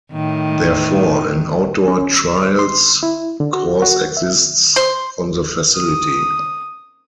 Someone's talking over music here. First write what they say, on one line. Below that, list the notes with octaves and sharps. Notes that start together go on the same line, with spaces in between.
Therefore, an outdoor trials course exists on the facility.
A2 D#3
C#4
E6
C6
E4
D3
F#4
F#4
E5
C5
D#6